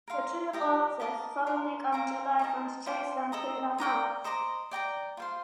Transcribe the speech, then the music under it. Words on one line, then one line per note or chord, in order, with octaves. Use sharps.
The two corpses suddenly come to life and chase them through the house.
A#4 F5 C6
G4 A#4 D#5 A#5
A#4 D#5 A5 D6
F4 A#4 F5
C5 F5 A#5 D6
A#4 D#5 A5
F4 C5 G5 D6
A4 D#5 A#5 D#6
D5 G5 A#5 D#6
C5 D#5 A#5 D6
D5 G5 A#5 D6
F4 C5 F5 C6